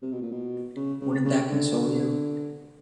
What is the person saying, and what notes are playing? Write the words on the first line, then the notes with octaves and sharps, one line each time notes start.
Wouldn't that console you?
C3
B2
A#2
B2
C#3
C#3
C#3
D3